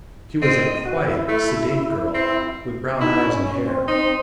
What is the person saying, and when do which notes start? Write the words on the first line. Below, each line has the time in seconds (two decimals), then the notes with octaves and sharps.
She was a quiet, sedate girl, with brown eyes and hair.
0.42 C4 D#5
0.63 D#5
0.85 F#4
1.07 E4
1.29 A3
2.14 C4
3.01 D#4 E4
3.14 D#4
3.22 C#4
3.44 C#4
3.67 C4
3.88 D#4